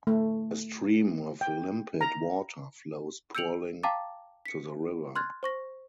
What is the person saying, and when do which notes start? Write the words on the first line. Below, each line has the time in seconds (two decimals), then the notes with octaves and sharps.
A stream of limpid water flows purling to the river.
0.07 A3
1.41 G5
2.01 A#5
3.35 E6 G6 C#7 D7 F7 F#7
3.83 F5 G5 A5 A#5 D6 A6
4.46 B6 C#7
5.16 C6 F6 F#6 G#6 A6
5.43 C5 C#6 A#6